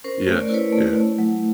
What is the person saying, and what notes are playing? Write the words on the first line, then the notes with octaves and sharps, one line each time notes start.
Yes, yeah.
C#4 A#4 C5
A3 C#5
D5
E4 B4 C#5
A3
A3
F#3